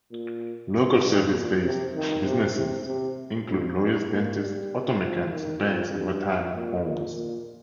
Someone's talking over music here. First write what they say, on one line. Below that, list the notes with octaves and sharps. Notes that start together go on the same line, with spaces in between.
Local service-based businesses include lawyers, dentists, auto mechanics, banks, and retirement homes.
A#2
F2
G2
A#2
C3
D#3
C3
C3
C3
F2
G2
A#3
G3
F3
D#3
F2
G2
A#2
A#2
A#2